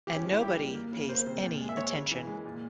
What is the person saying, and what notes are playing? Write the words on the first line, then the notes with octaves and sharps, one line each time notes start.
And nobody pays any attention.
E3 G4
C#4
G#3
E4
G3 G4
A#3
A#3
C#3
A#3 C5
C3
A#2
G#3
E5
G#3 C#5
C#3
E3
G#3
A#2